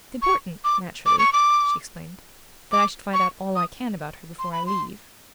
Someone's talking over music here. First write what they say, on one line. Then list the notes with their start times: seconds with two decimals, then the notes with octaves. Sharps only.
"It's important, naturally," she explained, "that I should find out all I can about her before I leave."
0.22 C#6
0.64 D6
1.06 D6
1.19 C#6
1.33 D6
2.72 D6
3.14 C#6
3.56 D#6
4.39 C6
4.52 B5
4.66 C6